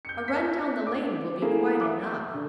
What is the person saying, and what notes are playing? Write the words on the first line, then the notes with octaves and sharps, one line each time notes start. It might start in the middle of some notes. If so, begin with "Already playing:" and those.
"A run down the lane will be quite enough."
G6 C#7
B6
D6
A3 A#3 E4 G#4
E5 D6
D3